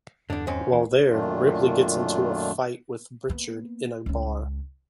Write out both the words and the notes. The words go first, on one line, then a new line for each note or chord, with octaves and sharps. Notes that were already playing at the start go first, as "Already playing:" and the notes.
While there, Ripley gets into a fight with Pritchard in a bar.
E2 G2 D3 D4
D#2 C4 C#4
E3
F#2 A#2 D#3 A3 D4 F4
A#3 B3
C#2 C#4